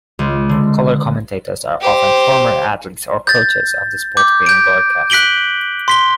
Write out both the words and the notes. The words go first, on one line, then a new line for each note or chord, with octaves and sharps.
Color commentators are often former athletes or coaches of the sport being broadcast.
C#2
D3
G4 C5
G6 A6
D6 G6
G6 D7
F#6 B6 D7 F#7 G7
C6 B6 G7